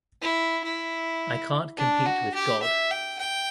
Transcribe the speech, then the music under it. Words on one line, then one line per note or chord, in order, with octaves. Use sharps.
I can't compete with God.
E4
E4
D4
F#4
G4
E5
G5
G5